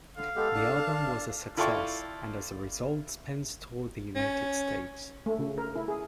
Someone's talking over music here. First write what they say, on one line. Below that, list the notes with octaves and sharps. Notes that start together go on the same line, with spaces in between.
The album was a success, and as a result Spence toured the United States.
D3 F5
G#3 B3 G4 A4
D4 A5
E4 F4 A4 D5 G5 C#6
C#4
A3
C#3
A#4
E4
G#4